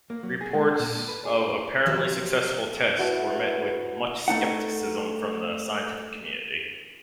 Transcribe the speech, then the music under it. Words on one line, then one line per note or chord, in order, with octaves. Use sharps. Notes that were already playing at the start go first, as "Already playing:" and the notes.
Reports of apparently successful tests were met with much skepticism from the scientific community.
A#3
F#3
G#4
G#3
D4
A#2
A4
B4
G#4
C5
F3 F#3 G4
E4 F#4 B4 A5
A3 D#4 F#5